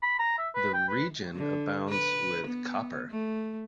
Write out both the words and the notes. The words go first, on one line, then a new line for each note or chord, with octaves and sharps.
The region abounds with copper.
B5
A#5
E5
B4
G5
B4
D3
B4
B3
A3